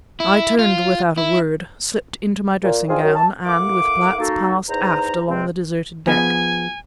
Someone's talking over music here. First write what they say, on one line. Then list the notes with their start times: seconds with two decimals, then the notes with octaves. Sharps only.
I turned without a word, slipped into my dressing-gown, and with Platts passed aft along the deserted deck.
0.20 E4
0.59 F4
1.18 E4
2.64 A#2
2.88 C4 D4 D#4 F4 G#4
3.02 F#2
3.15 A5
3.45 A#3 E4 A4 F#5 D6
4.19 A#3 D#4 F#4 A4
4.69 E2 D#4 C5 A#5
5.27 E2 C3 G#3 C4
6.07 F3 B3 G#4 G#5